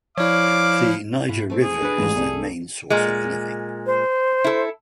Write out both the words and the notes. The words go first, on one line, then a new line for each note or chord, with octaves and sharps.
The Niger River is their main source of living.
F3 E4 C#5 D5 F5 D6
G#2 E4
A3 C4 E4
G#4
D4 B4
A1 G#2
C2 A3 A4
A#2 G#3
C5
E4 A4